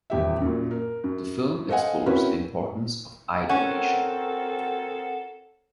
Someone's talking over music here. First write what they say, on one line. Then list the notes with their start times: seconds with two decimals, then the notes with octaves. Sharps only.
The film explores the importance of eye donation.
0.10 D#1 E2 G4 E5
0.41 F#2 A#2
0.71 A#4
1.04 F#2
1.69 A4 C5 D#5 F5 F#5 G#5
2.06 C4 C#4 E4 F#4 A#4 B4
3.49 C4 C#4 A4 A#4 F#5